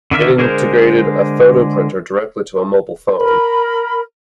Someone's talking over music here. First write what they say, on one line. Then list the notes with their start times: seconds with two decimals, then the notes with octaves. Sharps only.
It integrated a photo printer directly to a mobile phone.
0.11 D3 D#3 E5 F6
0.38 D3 G#3 G#4 A#4 C5
3.16 A#4 B5